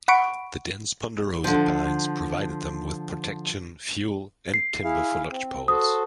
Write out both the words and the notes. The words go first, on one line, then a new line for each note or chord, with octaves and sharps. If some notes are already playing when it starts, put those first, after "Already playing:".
The dense Ponderosa Pines provided them with protection, fuel, and timber for lodgepoles.
F#5 B5 C#6 D7
D3 F3
C7
E4 G#4 F5
C4
F#4 A4 C5 D#6